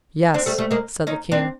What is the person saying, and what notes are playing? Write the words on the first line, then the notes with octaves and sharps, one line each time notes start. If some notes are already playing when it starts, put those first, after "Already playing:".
"Yes," said the King.
C4 D4
G3 A3
G3 A3
G#3 A#3
C#4 D#4
C4 D4